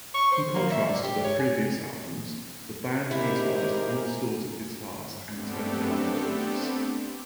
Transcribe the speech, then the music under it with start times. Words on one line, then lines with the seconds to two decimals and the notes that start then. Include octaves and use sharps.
In contrast to their previous albums, the band utilized undistorted guitars and toned-down vocals.
0.14 C#6
0.31 C5
0.55 A#3
0.72 E5
0.87 D5
1.03 G4
1.24 C#5
1.39 G#5
3.11 G#2 E4 G4 G#4 A#4
5.30 A3 B3 C4 D4 G4 A4